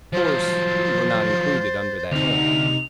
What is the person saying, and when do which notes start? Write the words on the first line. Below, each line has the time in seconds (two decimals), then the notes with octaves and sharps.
Of course, we were not included under that head.
0.13 F3 F#3 C5 A6
2.11 D2 C3 D#4 F7